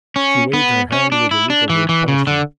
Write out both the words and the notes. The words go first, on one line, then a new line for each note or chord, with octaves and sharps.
She waved her hand with a look of repulsion.
C#4
B3
C#4
D4
E4
D4
E3
E3
C#3
D3